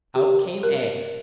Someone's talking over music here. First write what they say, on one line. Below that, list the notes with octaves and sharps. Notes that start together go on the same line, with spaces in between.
Out came eggs.
G4
A#4